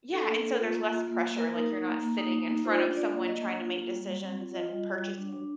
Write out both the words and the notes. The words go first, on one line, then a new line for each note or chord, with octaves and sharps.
Yeah, and so there's less pressure, like, you're not sitting in front of someone trying to make decisions and purchasing
D4 A4
A#3
A#3
F4
A#3
F4
A#3
A#3
A#3 A#4
D#4
D#4
A#3
A#3
D#4
A#3
D#4
F4 C5
D4
F4 D5
A#3
A#3 D#5
D4
F4
A#3
G3
G3
C4
F4
F4 D#5
G3
F4
G3
D4
D4